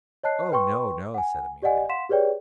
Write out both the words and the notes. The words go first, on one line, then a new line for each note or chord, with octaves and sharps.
'Oh no! no!' said Amelia.
C#5 D#5 A5 F#6 C7
B4 G5 C6 C#6
F#5 G#5
G4 D5 D#5 F#5 G#5
F5 F#5 C6 B6 E7
G4 G#4 B4 C#5 D5 G5